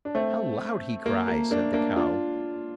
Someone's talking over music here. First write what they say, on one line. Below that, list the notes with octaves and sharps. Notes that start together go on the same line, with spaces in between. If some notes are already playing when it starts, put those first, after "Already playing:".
"How loud he cries!" said the cow.
D4
A3 C4
A#3
A#3
A#3 D4
A#3 D4
D4 F4